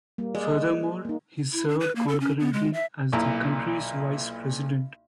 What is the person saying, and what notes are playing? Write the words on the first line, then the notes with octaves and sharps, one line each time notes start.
Furthermore, he served concurrently as the country's vice president.
G3 A#3
G#3 D5
A#3 D#4
E4
D4
B4
A#3
A4
C#4
B3
G#3
E5
B1 A#2 E4 A#5